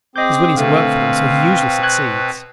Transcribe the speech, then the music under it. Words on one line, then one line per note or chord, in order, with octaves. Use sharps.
He is willing to work for them, so he usually succeeds.
C4 G#4 D#5 D6 G6
B2 D3 A3 B4 F5
C#6 F#6 G#6